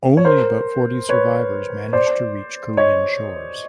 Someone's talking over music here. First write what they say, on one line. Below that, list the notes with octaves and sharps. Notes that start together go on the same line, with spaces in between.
Only about forty survivors managed to reach Korean shores.
C#5
A#4 C5
B4 C#5
C5 D5
C#5 D#5